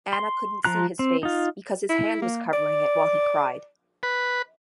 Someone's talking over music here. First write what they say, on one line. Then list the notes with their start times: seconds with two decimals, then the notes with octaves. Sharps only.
Anna couldn't see his face because his hand was covering it while he cried.
0.13 C6
0.65 F3 F4 A#5 F#6
0.99 C4
1.23 D#4 F4
1.89 E4
2.22 A#3
2.53 D5
4.03 B4